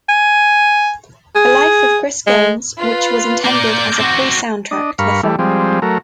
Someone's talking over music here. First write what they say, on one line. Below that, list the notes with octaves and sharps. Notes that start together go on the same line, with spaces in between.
The Life of Chris Gaines, which was intended as a 'pre-soundtrack' to the film.
G#5
G#4
G#3
F4 B4
A#3 D5 D6 G6
C4 F#4
D4 D#5
G2 A#4 F5 B5 C#6
E3 G3 A3
F3 G3 G#3 C4
F#3 A3 A#4